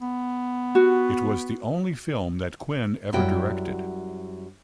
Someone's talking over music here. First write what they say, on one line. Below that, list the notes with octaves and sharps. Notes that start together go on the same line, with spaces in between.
It was the only film that Quinn ever directed.
B3
F#4
F#2 G3 E4 F#4 G5